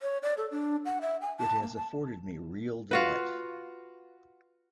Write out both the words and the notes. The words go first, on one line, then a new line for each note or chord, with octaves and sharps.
It has afforded me real delight.
C#5
D5
A4
D4
F#5
E5
G#5
A5
A#3
A5
F4 F#4 B4